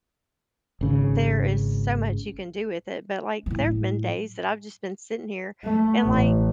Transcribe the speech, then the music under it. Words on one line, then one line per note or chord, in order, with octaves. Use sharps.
there is so much you can do with it, but, like, there have been days that I've just been sitting here, and, like,
G#1 C#3
A2 F#3
A3
A1